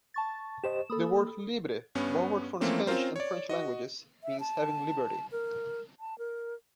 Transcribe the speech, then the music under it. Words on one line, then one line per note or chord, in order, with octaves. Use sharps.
The word "libre", borrowed from the Spanish and French languages, means having liberty.
A5 C#6 A6
G4 C5 D#5 E7
A#3 A4 B5 D#6
G2 B3 C#4
E3 F3 A3 A#3 C4 C#4
C4 C#4 F4 A#4 C5
C#5 D5
F#4 D#5
E5
A5
A#4
A5
A#4